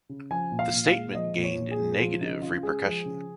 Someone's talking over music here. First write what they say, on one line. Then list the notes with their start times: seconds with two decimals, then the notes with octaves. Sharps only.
The statement gained negative repercussion.
0.09 C#3
0.31 F3 G#5
0.52 A#2
0.59 F5
0.73 A#2
0.87 F5
0.94 G#3
1.15 F3 D#5
1.36 A#2
1.44 C#5
1.58 A#2
1.71 G#4
1.79 G#3
1.92 G#4
1.99 F3 F4
2.21 C#3 D#4
2.42 C#3 F4
2.63 G#3 G#4
2.84 F3
3.05 C#3